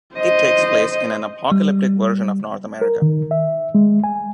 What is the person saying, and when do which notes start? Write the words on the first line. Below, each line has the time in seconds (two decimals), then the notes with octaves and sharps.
It takes place in an apocalyptic version of North America.
0.16 C5 D#5
1.52 G3
2.81 A#4
3.02 D#3
3.31 E5
3.75 G#3
4.04 G#5